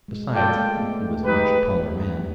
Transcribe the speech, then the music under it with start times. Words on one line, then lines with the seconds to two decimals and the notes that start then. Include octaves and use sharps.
Besides, he was a much taller man.
0.08 G#3
0.32 A3 F4 A4 D5 G5
0.55 G#3 A#3
0.78 A3 B3
1.02 A3
1.25 G#3 D#4 G4 B4
2.19 G3